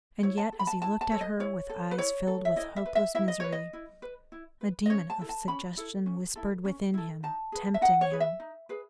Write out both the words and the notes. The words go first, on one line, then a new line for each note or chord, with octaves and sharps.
And yet as he looked at her with eyes filled with hopeless misery a demon of suggestion whispered within him, tempting him.
E4 C#5
A5
A4
B5
A5
E4 A5
A5
A4 C#5
D#5
E4 C#5
A4
B4
E4 C#5
A4
E5
E4 D#5
E5
B4
E5
E4 E5
D#5
B4 C#5
D#5
E4
B4
E4
B4
D#5
C#4 C#5
A5
E4 A4
A5
C#4 B5
E4 A4
C#4
E4 A4
C#4
E4 A4
D#4 A5
G#4 B4
E5
D#4 F#5
C#5
G#4 B4
E5
D#4
G#4 B4